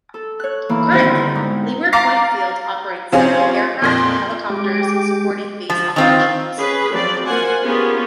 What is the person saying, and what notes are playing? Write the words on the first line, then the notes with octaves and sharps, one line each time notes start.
Currently, Leeward Point Field operates several aircraft and helicopters supporting base operations.
A4
C#5 F#6
D#2 E3 A#3
G2 B2 D#3 C4 E4 C5
D3
G#2
F5 A#5 D6 A6 A#6 C7
C3 F3 C4 C#4 F4 G#4
F2 A#2 A#6
G#3 G4 D6
F3
D#3 C4 F4
C#4 G#4 B4
F3 F#3 C4 D5
A#3 F4 C5 F#5 G#5
B3 C#4 F4 G4 G#4 A#4